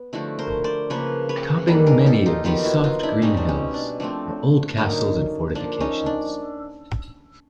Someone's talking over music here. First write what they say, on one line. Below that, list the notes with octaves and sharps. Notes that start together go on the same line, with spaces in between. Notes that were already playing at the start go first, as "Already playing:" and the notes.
Topping many of these soft, green hills are old castles and fortifications.
Already playing: B3
D3 F3 A3 E4 F#4
A#4 C5
C5 D5
C#3 F3 A#3 B4 C#5
B4 C#5
D#3 G3 A#3 A4 B4
G#4 A#4
G4 A4
D#4 F4
D#3 F#3 B3 F4 G4
E4 F#4
D#4 F4
D4 E4
B2 G3 C4 C#4 D#4
D4
C#4
D4
F3 A3 C4 D4
D3 F#3 A#3 C#4 D#4
F3 A#3 D4
C#4 D#4
D4